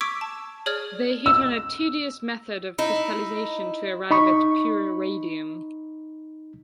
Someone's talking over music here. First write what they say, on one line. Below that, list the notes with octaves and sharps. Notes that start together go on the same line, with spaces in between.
They hit on a tedious method of crystallization to arrive at pure radium.
C#6 D6 E6 G#6 B6 D7
A5
G#4 C#5 D5 F6 G#6
E6
D#4 E4
D#4 B5 C#6